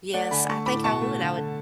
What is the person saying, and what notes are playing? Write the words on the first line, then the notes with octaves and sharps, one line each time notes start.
Yes, I think I would I would
A3 D5 F#5
D3 G#5 B5
A3 A5 C#6
A2 B5 D6
B2 A5 C#6
A3
D3
D3